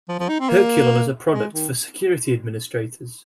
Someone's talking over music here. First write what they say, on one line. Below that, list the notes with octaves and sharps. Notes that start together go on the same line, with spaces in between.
Herculon is a product for security administrators.
F3
F3
D#4
C4
A#3
G#3
D#3